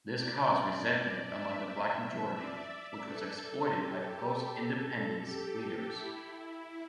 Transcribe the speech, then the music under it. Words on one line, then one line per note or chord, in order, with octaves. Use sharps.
This caused resentment among the Black majority, which was exploited by post-Independence leaders.
D5
D5
E5
E5
D5
D5
A4
G4
A4
A4
A4
G4
E4